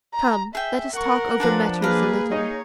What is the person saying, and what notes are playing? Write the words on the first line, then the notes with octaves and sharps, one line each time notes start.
Come! let us talk over matters a little.
A#5
G#4 E5 G5
A#4 F#5 C#6
F3 D4 G#4 B4 A#5
A#3 G#4 B4 F5 A#5
D#4 C#5